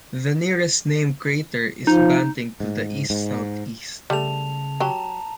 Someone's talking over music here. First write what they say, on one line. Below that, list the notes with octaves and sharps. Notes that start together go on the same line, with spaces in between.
The nearest named crater is Banting to the east-southeast.
F3 D#4
G#2
G#2
C#3 G3 A3 A5 F7
F#3 G4 A5 A#5